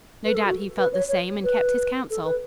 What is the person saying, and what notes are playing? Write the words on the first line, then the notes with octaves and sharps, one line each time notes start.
No doubt he felt the same and kept his counsel.
B4
A4
F#4
B4
C#5
C#5
B4
A4
B4